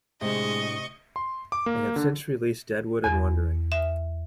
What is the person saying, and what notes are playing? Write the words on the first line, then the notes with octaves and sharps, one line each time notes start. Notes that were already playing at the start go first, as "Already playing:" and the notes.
They have since released "Deadwood" and "Wondering".
A2 C3 G#3 D4 D#5 C#6
C6
D6
A#3
D3
E2
E5